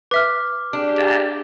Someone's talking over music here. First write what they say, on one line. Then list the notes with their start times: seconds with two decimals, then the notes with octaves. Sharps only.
I bet.
0.11 B4 E5 D6 F6
0.73 D4 G4 G#4